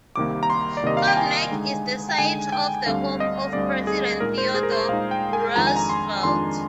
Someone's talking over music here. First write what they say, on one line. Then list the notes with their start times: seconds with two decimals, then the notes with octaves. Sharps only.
Cove Neck is the site of the home of President Theodore Roosevelt.
0.16 C2 C3 D#3 A#3 D6
0.43 A#5
0.50 C6
0.77 D5
0.84 C2 C3 D#3 A#3 D#5
0.97 F5
1.08 G5
1.17 G#5
1.52 D3 G#3 D#4
2.09 G5
2.18 D3 G#3 D#4 G#5
2.52 G5
2.86 D2 D3 G3 C4 F5
3.20 D#5
3.53 D2 D3 G3 C4 D5
3.87 G#4
4.20 A#2 G#3 D#4 A#4
4.38 C5
4.55 G#4
4.63 A#4
4.72 C5
4.88 A#2 G#3 D#4 F5
5.11 G5
5.33 G#5
5.56 F2 D#3 G#3 D4 F4 A#5
5.67 G#5
5.77 A#5
5.89 C6
6.23 F2 D#3 G#3 D4 F4 C6